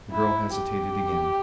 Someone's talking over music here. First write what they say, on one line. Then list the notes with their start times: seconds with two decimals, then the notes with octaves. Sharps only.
The girl hesitated again.
0.11 E4
0.55 G4